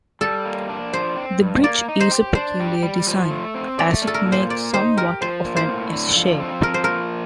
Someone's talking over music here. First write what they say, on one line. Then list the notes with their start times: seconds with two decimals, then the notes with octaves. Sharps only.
The bridge is a peculiar design, as it makes somewhat of an "S" shape.
0.21 G3 A4
0.45 A#3
0.69 D4
0.93 F3 C5
1.16 C4
1.41 G2
1.64 A#3 D5
1.88 D#4
2.00 C5
2.12 G4
2.35 D4 C5
2.60 G4
2.83 G3
3.07 F3
3.30 A3
3.55 C4
3.78 A3 D5
4.02 D4
4.07 A4
4.14 A#4
4.25 A#2
4.32 C5
4.49 A#3 D5
4.73 D#4 C5
4.97 G4 A#4
5.21 F3 C5
5.45 A#3
5.56 C5
5.69 A2
5.92 D3
6.16 F3
6.40 C4
6.63 F3 A#4
6.74 C5
6.84 A#3 A#4